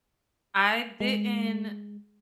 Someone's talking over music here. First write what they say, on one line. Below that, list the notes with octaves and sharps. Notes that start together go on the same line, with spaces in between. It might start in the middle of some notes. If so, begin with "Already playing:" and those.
I didn't
G#3